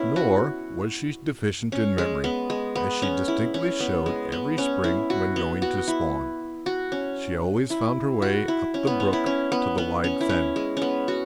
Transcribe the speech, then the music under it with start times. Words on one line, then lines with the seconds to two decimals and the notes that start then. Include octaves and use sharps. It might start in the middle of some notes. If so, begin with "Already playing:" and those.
Nor was she deficient in memory, as she distinctly showed every spring when going to spawn; she always found her way up the brook to the wide fen.
Already playing: B3 C#4 E4
0.16 F#4
1.72 C#4
1.98 G#3
2.24 B3
2.50 G#3
2.75 B3
3.02 C#4
3.28 E4
3.54 C#4
3.80 B3
4.06 G#3
4.32 B3
4.58 C#4
4.84 E4
5.10 F#4
5.36 B3
5.62 F#4
5.88 E4
6.66 F#4
6.92 C#4
7.70 E4
8.22 F#4
8.48 E4
8.74 C#4
8.87 B3
9.00 C#4
9.13 E4
9.26 C#4
9.52 B3
9.78 B3
10.04 C#4
10.21 E4
10.29 C#4
10.56 G#3
10.77 B3 C#4
11.08 F#4